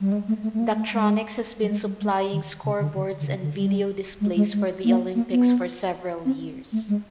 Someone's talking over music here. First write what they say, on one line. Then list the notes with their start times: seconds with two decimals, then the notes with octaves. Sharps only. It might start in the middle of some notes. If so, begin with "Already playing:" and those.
Daktronics has been supplying scoreboards and video displays for the Olympics for several years.
0.01 G3
0.12 G#3
0.28 A3
0.43 A3
0.54 A3
0.59 A#3
0.75 A3
0.91 G#3
1.63 G3
1.69 G#3
1.85 G3
2.01 G#3
2.32 D#3
2.64 C#3
2.80 D3
2.95 D3
3.20 D3
3.27 C#3
3.42 D3
3.58 G3
4.21 G#3
4.36 G#3
4.53 G#3
4.84 A#3
5.15 A#3
5.30 B3
6.25 C4
6.72 A3
6.88 G#3